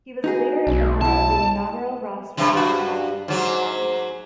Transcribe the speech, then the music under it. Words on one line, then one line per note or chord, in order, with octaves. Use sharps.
He was later a member of the inaugural roster of the Jacksonville Jaguars.
D#4 F#4 G#4
B1
B2 E4 A5
G2 C3 G#3
G2 F#4
G#2 F#3